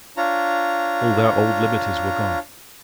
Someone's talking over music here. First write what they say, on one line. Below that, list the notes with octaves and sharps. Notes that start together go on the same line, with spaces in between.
All their old liberties were gone.
D4 F4 C#5 A#5